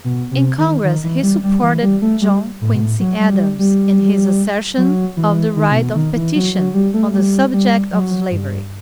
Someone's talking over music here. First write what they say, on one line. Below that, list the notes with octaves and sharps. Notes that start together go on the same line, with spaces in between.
In congress he supported John Quincy Adams in his assertion of the right of petition on the subject of slavery.
B2
C3
D#3
D#3
E3
G3
G3
E3
G3
A3
G3
A2
B2
A2
F#3
G3
G3
F#3
E3
D#3
C3
B2
D#3
E3
F#3
F#3
G3
A3
G3
G3
F#3
G2